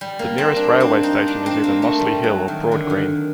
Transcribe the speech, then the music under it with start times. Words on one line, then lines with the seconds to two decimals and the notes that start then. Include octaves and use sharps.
The nearest railway station is either Mossley Hill or Broadgreen.
0.01 G3
0.19 A#3
0.38 C4
0.56 D4
0.80 C4
1.03 D#4
1.28 D4
1.46 C4
1.64 A#3
1.82 A3
1.99 G3
2.23 F#3
2.48 D#3
2.72 D3
2.90 D#3